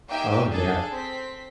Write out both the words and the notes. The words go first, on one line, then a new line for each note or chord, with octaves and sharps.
Oh, yeah,
A#3 D#4 G4 E5 G5 G#5
D4 G#4 A4
C4 B6